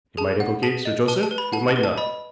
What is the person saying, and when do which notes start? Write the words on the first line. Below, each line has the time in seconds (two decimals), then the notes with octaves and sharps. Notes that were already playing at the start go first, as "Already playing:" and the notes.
It might implicate Sir Joseph, it might not.
0.17 G#4 A5
0.40 F#5
0.63 G#4 A5
0.85 D#5
1.08 B4 A5
1.23 A5
1.31 B4
1.38 B5
1.53 F#5 A5
1.68 A5
1.76 B4
1.83 A5
1.98 D#5 B5